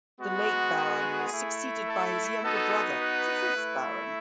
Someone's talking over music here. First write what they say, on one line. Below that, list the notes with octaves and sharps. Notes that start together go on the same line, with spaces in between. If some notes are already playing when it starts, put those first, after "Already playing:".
The late Baron was succeeded by his younger brother, the fifth Baron.
G#3 B3 F#4
G#4
A3 E4
A4
B3 D#4 F#4 A4
B4
A3 E4